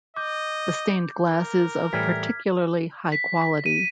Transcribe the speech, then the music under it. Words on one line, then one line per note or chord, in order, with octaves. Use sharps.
The stained glass is of particularly high quality.
D#5 D6 G6
A#4
A2 E3 G3 F6 G#6 B6
B6
B6
D#7